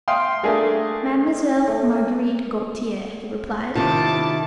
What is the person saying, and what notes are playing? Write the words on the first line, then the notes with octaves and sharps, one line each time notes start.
"Mademoiselle Marguerite Gautier," he replied.
E5 F5 G5 C6 D#6
A3 A#3 D4 G#4 A#4
A3
C3 D#3 C#4 E4 F4 A5 D6